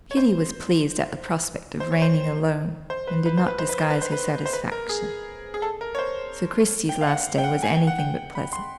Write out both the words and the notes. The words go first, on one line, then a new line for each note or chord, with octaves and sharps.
Kitty was pleased at the prospect of reigning alone, and did not disguise her satisfaction; so Christie's last day was any thing but pleasant.
C#5
C5
C5
C#5
C5
C5
B4
B4
C5
B4
C5
B4
C5
B4
C5
B4
C5
B4
A#4
G#4
G#4
A4
A#4
C#5
C5
G5
F5
F#5
G5
F#5
G#5
G5
F#5
G5
B5
C6